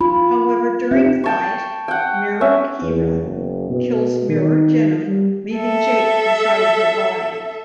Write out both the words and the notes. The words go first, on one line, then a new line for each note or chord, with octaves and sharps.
However, during the fight, mirror Kira kills mirror Jennifer, leaving Jake beside her body.
F4 B5
C4 G4 E5
G5 A5 C#6
F#5 G5
C#4 E5
E2
F#1
B2
D#3
G3
A4 E5